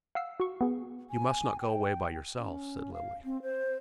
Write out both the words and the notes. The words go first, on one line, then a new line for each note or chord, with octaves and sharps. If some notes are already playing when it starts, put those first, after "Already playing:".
"You must not go away by yourself," said Lily.
F5 F#5 E6 C7
F#4 C#6
B3 G#4
G#5
G5
C#4
F5
C4
C5